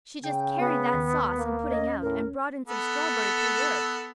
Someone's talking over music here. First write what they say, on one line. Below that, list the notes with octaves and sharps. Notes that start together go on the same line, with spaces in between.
She just carried that sauce and pudding out and brought in some strawberry preserves.
C#3 G5
B3
D#2
A#3
C#4 D#5
A2 A#4
B3 A4